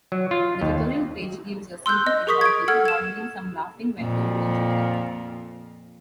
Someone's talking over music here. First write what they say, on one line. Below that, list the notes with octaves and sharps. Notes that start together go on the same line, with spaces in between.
The tutorial page gives a simple example modeling some laughing when told a joke.
F#3
F4
D#2
C6 E6 F#6 G6
D#5
G#4 A#4 C#6 D#6 B6
G#6 D7
A4 F#5 E6 F6 G#6
G#6 E7
F2 A#2